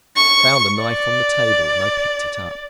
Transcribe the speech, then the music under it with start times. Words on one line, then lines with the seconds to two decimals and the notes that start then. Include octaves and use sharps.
I found a knife on the table and I picked it up.
0.16 C#6
0.82 D5